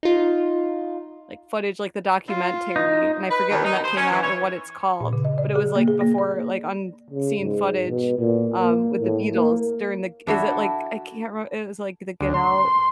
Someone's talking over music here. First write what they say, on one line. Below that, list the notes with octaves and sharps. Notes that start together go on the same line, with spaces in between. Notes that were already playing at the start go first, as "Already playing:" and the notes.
like, footage, like, the documentary? And I forget when that came out or what it's called. But, it was, like, before, like, unseen footage, um, with the Beatles during the g is it, like, I can't remem it was, like, the Get Out?
D#4 F4
F4
D#4
B4
D#2
D#4
C5
C#4
E3
C#5
A#2
C#3
D#5
D5
G#4
A#3
G#4
A#3
D5
C#3
G#2
B2
A#2
A#3
A2
A#3
D4 E4 F#4 A4
D2
C6